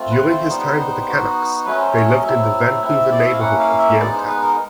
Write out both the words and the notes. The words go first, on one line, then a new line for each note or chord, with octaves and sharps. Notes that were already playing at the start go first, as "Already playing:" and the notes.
During his time with the Canucks, they lived in the Vancouver neighbourhood of Yaletown.
Already playing: A3 C4 F4
B4
C5
G3 B3 D#4
B3 D#4 F#4
F#3 A3 C#4 B4
C5
C#5
D#5
F#3 A3 C4 E4 E5
A3 C4 E4
D5
D#5
E5
F5
A#3 C#4 E4 F#5
F5
E5
G#3 B3 D#4 D5
C5
B4
A#4